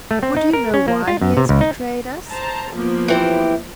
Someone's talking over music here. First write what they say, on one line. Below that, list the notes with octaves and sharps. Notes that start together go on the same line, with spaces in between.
Would you know why he has betrayed us?
A3
C4
D#4
A#4
C#4
A#3
F4
F#2
C3
C#2
D#4
C5 A5 A#5
F3 A#3 B3
E3 C4 G4